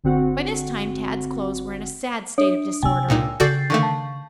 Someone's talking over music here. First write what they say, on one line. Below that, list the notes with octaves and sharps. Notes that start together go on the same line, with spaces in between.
By this time, Tad's clothes were in a sad state of disorder.
G1 D3 C4 F#4 F#5
D4 C#5
C3 D4 G5 G#5 E6
C#2 A#2 D#4
C#3 F#4 A4 D5 G6 A6 C7
D3 D#3 A3 F5 C#6
A5